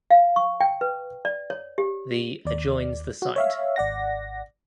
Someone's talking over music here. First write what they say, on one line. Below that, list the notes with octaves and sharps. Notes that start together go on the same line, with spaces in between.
The adjoins the site.
F5
C#6
G5
B4
D5
C#5
G4
D#2 D5
F#4
C#5 E5 F5
G#1 D5 F#5 A#6